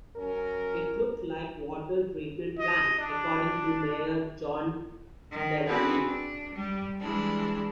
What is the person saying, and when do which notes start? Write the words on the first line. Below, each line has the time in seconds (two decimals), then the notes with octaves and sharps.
It looked like a water treatment plant, according to Mayor John Delaney.
0.16 F#3 C#4 A#4
2.59 D#5
2.99 D4
5.32 D#3
5.66 B3 C4 E4 F#4 G#4 B4
6.06 D4
6.56 G3
7.00 E3 G3 G#3 D4 E4